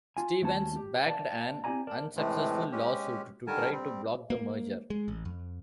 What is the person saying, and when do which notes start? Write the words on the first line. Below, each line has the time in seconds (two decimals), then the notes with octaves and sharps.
Stevens backed an unsuccessful lawsuit to try to block the merger.
0.17 F4 G#5
0.42 D#2 A3 C#4 A5
0.76 G4
1.07 D5 A5
1.64 C4 E4 G4 D5 G#5 A#5
1.87 A#4 D5 A5
2.16 A2 C3 E3 G#3 A3
2.72 G#3 C#4 G4
3.47 D3 D#3 G3 A#4 G#5 A5
3.71 G3 C4
4.30 A#3
4.90 G#3
5.08 A1
5.25 F2